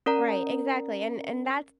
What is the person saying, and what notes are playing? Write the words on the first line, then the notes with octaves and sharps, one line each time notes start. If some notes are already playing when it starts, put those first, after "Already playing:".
Right, exactly, and and that's
C#4 A#4 D5 A#5